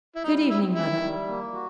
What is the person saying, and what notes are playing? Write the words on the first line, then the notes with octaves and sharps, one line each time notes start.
'Good evening, Mother.'
E4
G3 D#4
C4 E4
D#3 E4
G3
A#3
F#4